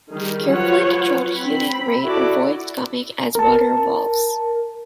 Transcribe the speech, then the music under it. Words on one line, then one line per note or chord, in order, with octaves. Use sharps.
Carefully controlled heating rate avoids gumming as water evolves.
D#3 G3 G#4
F3 F#3 F4 B4 C#5 F#5
C4 B5
E4 F#4 A4 D5
A#4 A5